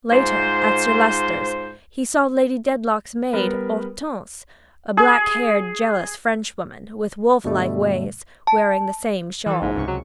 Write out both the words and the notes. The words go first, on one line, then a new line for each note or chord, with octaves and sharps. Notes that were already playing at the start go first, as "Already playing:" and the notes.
Later, at Sir Leicester's, he saw Lady Dedlock's maid, Hortense--a black-haired, jealous French woman, with wolf-like ways--wearing the same shawl.
G#2 F4 C5
G3 B3 A#4 B4
G#4
G2 B2 D3 G3 A3
A5
E3 A4
A#1 G#2
C#2 C3 C#6
F#3